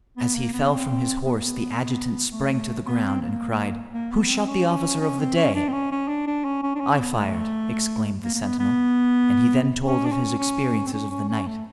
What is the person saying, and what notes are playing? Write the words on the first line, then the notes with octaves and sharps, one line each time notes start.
As he fell from his horse the adjutant sprang to the ground and cried, "Who shot the officer of the day?" "I fired," exclaimed the sentinel, and he then told of his experiences of the night.
B3
A#3
B3
C4
B3
A#3
B3
A3
B3
C4
A#3
A#3
B3
C4
C#4
C#4
C4
C#4
D4
C4
C#4
C#4
D4
D4
C#4
C#4
D4
C#4
B3
A3
A#3
A#3
B3
B3
C#4
D4
C#4
C#4
C4
C#4
C#4
C#4
A3